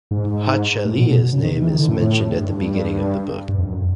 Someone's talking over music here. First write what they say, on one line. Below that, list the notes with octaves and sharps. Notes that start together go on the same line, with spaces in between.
Hachaliah's name is mentioned at the beginning of the book.
G#2
A2
B2
B2
C#3
D#3
E3
D#3
D3
A2
G2
G2
F2
F#2